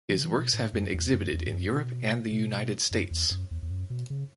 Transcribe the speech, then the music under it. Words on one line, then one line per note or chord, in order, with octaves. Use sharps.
His works have been exhibited in Europe and the United States.
E3
C#3
E3
B2
A2
F#2
E2
F#2
E2
A2
F#2
B2
B2
F#2
E2
F#2
E2
E2
F#2
B2
C#3